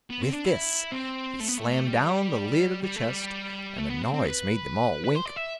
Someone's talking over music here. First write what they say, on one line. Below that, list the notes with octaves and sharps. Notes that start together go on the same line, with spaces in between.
With this he slammed down the lid of the chest, and the noise made them all wink.
B3
C4
D4
E4
C4
A3
B3
A3
G3
G3
A3
G3
A3
B3
C4
C4
B4
B4
C5
D5
E5